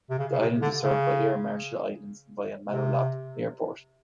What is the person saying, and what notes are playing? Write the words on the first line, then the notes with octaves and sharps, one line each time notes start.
The island is served by Air Marshall Islands via Maloelap Airport.
C3
C#3
C#3
C3
D3
C#3
C3